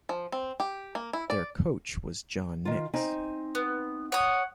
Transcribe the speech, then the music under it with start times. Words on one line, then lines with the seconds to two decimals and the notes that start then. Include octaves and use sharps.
Their coach was John Nicks.
0.09 F3
0.32 C4
0.60 G4
0.95 A#3
1.13 E4
1.30 D5
2.65 D#3 F4
2.94 C4 D#4 G#5
3.55 B3
4.12 C#5 F#5 D#6